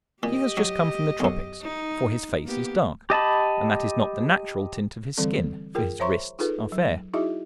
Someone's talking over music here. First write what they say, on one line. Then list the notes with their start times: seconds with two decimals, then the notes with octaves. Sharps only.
He has just come from the tropics, for his face is dark, and that is not the natural tint of his skin, for his wrists are fair.
0.23 A#2 G4 D#5
0.57 F#3
1.20 B1 F#2
1.62 D#4
2.45 A#3 B3 G4
3.10 G4 D#5 A5 B5
5.17 D3 E3 G3 C4 A4
5.75 F4 G#4 A#4 G5
6.00 C5 C#5 E5 A#5 C6 C#6
6.39 D#4 F4 G#4 A4 B4
6.72 F#3
7.14 D#4 E4 F#4 G#4 D#5 E5